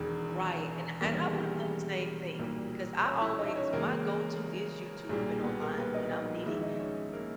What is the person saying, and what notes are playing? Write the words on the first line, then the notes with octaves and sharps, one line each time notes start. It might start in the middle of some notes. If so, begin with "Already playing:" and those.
Right, and and I would have done the same thing 'cause I always my go to is YouTube and online when I'm needing
Already playing: E1 E2 D#3 G#4
E1 E2 D#3 G3 A#3 B3 A#4
G#4
G4
G#4
B1 A#2 G3 A#3
C#4 C#5
E4 E5
D#4 D#5
C#4 C#5
E2 C#3 G#3 A#3 A#4
B1 A#2 G3 A#3 G#4
G#4
B3 B4
A#3 A#4
B3 B4
D#4 D#5
B3 B4
A#1 G#2 D#3 G#3 B3 E4 E5
D#4 D#5
C#4 C#5
A#3 A#4